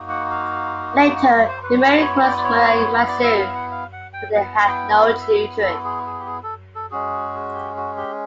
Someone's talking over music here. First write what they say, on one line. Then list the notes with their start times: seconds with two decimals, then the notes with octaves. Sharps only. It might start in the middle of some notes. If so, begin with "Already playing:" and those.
Later he married Cruz Maria Massu, but they had no children.
Already playing: A#3 D#4 F#4
0.09 F#5
0.31 F5
1.16 F#5
1.48 C5
1.63 B4
1.80 B3 E4
2.01 C#5
2.22 D5
2.37 D5
2.44 C#5
3.08 D5
3.23 E5
3.39 F5
3.55 F#5
3.71 F5
3.93 F#5
4.13 G5
4.35 B3 E4 F#5
4.67 G5
4.99 F5
5.20 E5
5.63 A4
5.84 G#4
6.06 G#4
6.20 G4
6.26 G#4
6.43 A4
6.75 A4
6.91 G#3 C#4 F#4 G#4
7.54 G4
7.77 F#4
7.97 G4